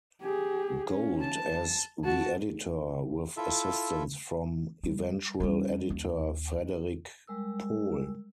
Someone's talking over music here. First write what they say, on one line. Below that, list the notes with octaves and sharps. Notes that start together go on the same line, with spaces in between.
Gold as the editor, with assistance from eventual editor Frederik Pohl.
G4 G#4
C#4
A5
F#4 A5
E4 F4 A4 E5
G3
G3 C#4
D#2
G3 G#3 A#4 E6